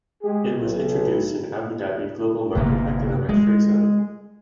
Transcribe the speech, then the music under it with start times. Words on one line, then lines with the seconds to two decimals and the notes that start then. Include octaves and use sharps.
It was introduced in Abu Dhabi Global Market economic free zone.
0.22 G#3 G4 G#4
0.60 B1
2.55 G1 C3 A#3
3.29 G#3